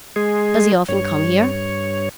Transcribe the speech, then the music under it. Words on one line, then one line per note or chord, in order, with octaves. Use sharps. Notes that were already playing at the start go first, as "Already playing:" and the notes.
"Does he often come here?"
G#3 G#4
G2 C#5